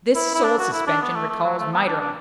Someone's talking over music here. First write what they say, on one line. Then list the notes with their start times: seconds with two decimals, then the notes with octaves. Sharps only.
This soul-suspension recalls Maeterlinck.
0.15 E4
0.34 E4
0.44 D4
0.59 F#4
0.73 E4
0.87 D4
1.01 B3
1.15 A3
1.29 A3
1.44 F#3
1.59 A3
1.73 B3
1.86 D4
2.01 D4